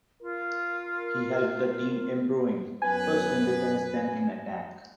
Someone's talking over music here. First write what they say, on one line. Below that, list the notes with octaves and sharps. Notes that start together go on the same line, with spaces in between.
He helped the team improving, first in defence then in attack.
F4 A#4
F#2 B3 B4 G#5